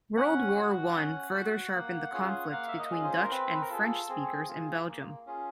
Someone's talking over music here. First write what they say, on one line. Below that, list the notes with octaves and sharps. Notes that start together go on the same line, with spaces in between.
World War One further sharpened the conflict between Dutch and French speakers in Belgium.
C#4 F#5
F#4
C#4
F#4
A#3
C#4 F4 G#4
A#3 F5
E5
D#5
C#4 F4 G#4
C5
A#4
C4 B4
C5
B4
A#4
F4 G#4 A4
C4 G#4
F4 G#4
A#3
C#4 F4 G#4